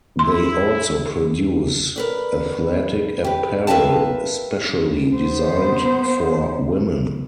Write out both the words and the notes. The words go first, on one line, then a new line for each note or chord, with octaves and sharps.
They also produce athletic apparel specially designed for women.
E4 C6
A#4 B4 D5
G4 B4
A#4 B4 E5 F5 G5 A5
B3 C5